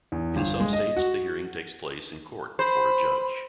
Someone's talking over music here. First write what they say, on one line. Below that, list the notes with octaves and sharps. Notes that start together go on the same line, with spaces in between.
In some states, the hearing takes place in court before a judge.
E2
G1
G#3
D#5
F#4
C5 B5